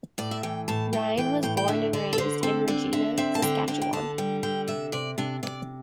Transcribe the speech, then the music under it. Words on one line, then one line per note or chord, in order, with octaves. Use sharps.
Ryan was born and raised in Regina, Saskatchewan.
A2 D5
E5
E3 G5
A2 A5
A2 G5
E3 G5
A2 G5
G5
D3 E5
D3 D5
A4
D3 C5
C4 A4
D3 D5
D3 E5
C4 E5
A5
D3 G5
D3 G5
G5
D3 A5
G3 G5
D3 G5
C3 E5
C3 D5
C3 D4
C3 D5